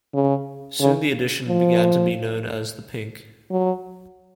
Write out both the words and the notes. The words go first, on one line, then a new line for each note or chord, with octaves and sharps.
Soon the edition began to be known as "the Pink".
C#3
C#3
F3
F#3